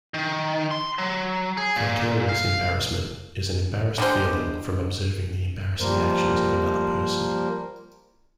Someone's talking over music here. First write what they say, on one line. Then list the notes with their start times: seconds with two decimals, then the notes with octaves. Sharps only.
Vicarious embarrassment is an embarrassed feeling from observing the embarrassing actions of another person.
0.14 D#3
0.71 C6
0.98 F#3
1.57 G#4
1.76 A#2
2.29 F5
3.98 D3 G3 G#3 C5
5.80 F3 G3 A#3 A#4 C5